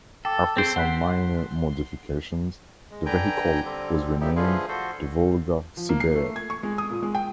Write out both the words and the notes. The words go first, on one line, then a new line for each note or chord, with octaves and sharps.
After some minor modifications the vehicle was renamed the Volga Siber.
A4 G5 D6
C4 G#4 C5 D7
F#5 C6 F#6 B6
G#3
D3 B4 G5 G#5 A#5
D3 G3 C4
F3 G3 D#4 E4 G4
D3 F3 A3 F4 G#4 B4
F3 F#4 A4 C5
F3
A#3
C7
A3
G#6
C#6
G#3
D#6
A#2
G#3
G5